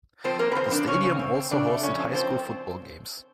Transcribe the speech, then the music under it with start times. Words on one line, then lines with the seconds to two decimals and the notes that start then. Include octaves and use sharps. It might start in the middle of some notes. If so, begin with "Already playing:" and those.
The stadium also hosted high-school football games.
0.24 F3 C4 C5
0.39 A#3 C4 A#4
0.52 B4
0.55 F3 C4 C5
0.71 C4 D4 D5
0.87 C#3 C#4 C#5
1.03 C#3
1.19 C4
1.35 C4
1.51 C#3 D4 D5
1.67 A3
1.83 F3 C#4 C#5
1.99 C4
2.14 F3 C4 C5